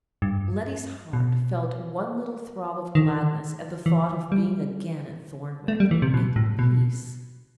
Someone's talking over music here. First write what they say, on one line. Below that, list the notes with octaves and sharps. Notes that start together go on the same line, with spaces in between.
Letty's heart felt one little throb of gladness at the thought of being again at Thornwick, and in peace.
G2
B2
D#3
E3
G3
A3
G3
E3
C3
B2
A2
B2